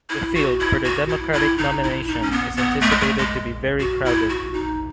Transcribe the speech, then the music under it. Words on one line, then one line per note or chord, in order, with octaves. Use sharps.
The field for the Democratic nomination is anticipated to be very crowded.
E4
F#4
E4
F#4
E4
E4
D#4
E4
D#4
C#4
B3
B3
A3
G#3
A3
G#3
F#4
E4
F#4
D#4